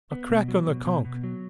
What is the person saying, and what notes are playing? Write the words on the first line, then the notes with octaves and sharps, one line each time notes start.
A crack on the conk.
B3
B2
F#3
B2
B2
B2
F#3